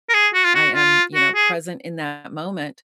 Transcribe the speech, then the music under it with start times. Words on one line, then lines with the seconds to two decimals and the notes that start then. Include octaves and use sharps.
I am, you know, present in that moment
0.09 A#4
0.14 G#4
0.34 F#4
0.44 F4
0.55 F#4
0.74 F4
1.15 F#4
1.35 G#4